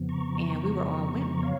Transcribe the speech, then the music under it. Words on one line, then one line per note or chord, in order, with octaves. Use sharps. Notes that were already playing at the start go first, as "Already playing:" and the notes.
and we were all women,
Already playing: F2 C#3 F3 B3
A#5 C#6
C#5 F5